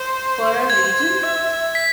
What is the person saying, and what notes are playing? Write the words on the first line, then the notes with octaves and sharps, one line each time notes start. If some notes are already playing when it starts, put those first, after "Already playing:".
For our region?
Already playing: C5
G#6
E5
B6